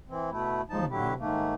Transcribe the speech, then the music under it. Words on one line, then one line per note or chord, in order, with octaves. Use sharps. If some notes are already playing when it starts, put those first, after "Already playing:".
"Oh no."
E3 C4
B2 A3 E4
D#2 F3 D#4 A5
D3 F#3 E4 G4
G#2 D#3 A3 A#3